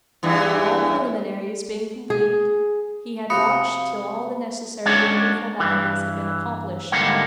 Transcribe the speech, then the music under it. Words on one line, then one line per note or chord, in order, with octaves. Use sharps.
All preliminaries being complete, he had watched till all the necessary legal formalities had been accomplished.
E2 G2 E3
G#4
C3 F3 F#4 F5 B5 D#6 C#7
G#3 C#4 D4 F#4 C#5 D5
G2 E3
D#2 G#2 D3 G3 A#3 F#5